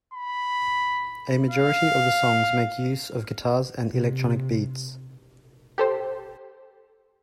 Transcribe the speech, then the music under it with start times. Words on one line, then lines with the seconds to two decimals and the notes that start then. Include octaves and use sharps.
A majority of the songs make use of guitars and electronic beats.
0.13 B5
1.51 F5
3.91 C3
5.78 G4 A4 C5